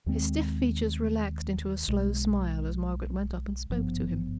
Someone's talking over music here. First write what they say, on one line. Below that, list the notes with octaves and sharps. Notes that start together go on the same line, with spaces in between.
His stiff features relaxed into a slow smile as Margaret went up and spoke to him.
D#2 D#3 G#3 C4
B1 B2 G#3
G#1 G2 F3 B3